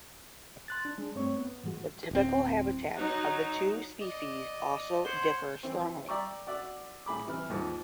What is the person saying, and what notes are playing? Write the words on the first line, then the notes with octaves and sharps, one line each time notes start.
The typical habitats of the two species also differ strongly.
C6 F#6 A6
D4
G#3 D4
G2 A3 C4 C#5 C#6
B3
G#2 E3 G#3 F#4
D1 C4
F#3 D#4
D5 D#5
C5 C#5 F#5 C6 C#7 G7
E3 C4
D5 E5 G5 A#5 C#6
F#4 D5 E5
A2 G#4 B5 D6
C3 E3 B5 F6
D#2 G#2 F3